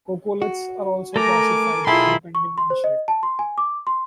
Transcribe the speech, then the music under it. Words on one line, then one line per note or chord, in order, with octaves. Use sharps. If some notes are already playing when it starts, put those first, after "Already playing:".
Coccoliths are also classified depending on shape.
F#4
A3 A4 A#4 G#5 A#5 D6
B1 E4 F4 G#4 G5 A5 B5 C6
C#6
C6
C5
D#5
A5
C6
G#5
D6
C6